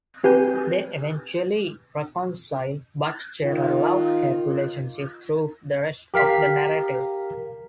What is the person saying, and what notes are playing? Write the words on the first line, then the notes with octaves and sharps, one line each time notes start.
They eventually reconcile, but share a love-hate relationship through the rest of the narrative.
C4 G4 B4 G#5 G6
D#3 F4
G4 A#4 F5 B6